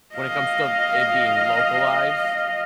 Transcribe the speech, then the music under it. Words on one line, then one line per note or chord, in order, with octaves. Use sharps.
when it comes to it being localized,
D#5 F5